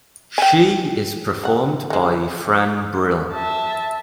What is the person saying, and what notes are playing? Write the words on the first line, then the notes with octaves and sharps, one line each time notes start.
She is performed by Fran Brill.
G5 G#5
C#3 F#5
E3 G#3
E5 A5